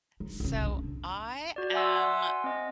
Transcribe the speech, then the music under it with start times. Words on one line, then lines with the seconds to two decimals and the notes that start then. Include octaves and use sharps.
So, I am
0.20 D#4
0.40 C2 C#4
0.65 D#1 D4
1.56 F#4 D5
1.73 D5 E5 F#5 G#5 C6 E6
1.96 F#5 G#5 C6
2.44 C4 D#5